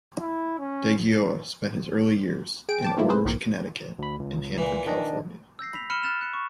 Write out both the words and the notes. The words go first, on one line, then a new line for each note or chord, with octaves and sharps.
DeGioia spent his early years in Orange, Connecticut, and Hanford, California.
E4
C#4
G#4 G5 D7
G5 A5 D6
D#3 F#3 A3 A#3 E4 F4
C3 A3 C4 G#4 B4 C5
B1 G#2 D#3 F3 A#3
D2 B5
C#2
A#2 E3
D#3 D4 D#5
E6 G6 A#6 C7
B5 B6 F7
B5 F6 C#7 D#7 E7 G7
F6 F#6 A6 E7 F7
F6 F#6 C#7
C#6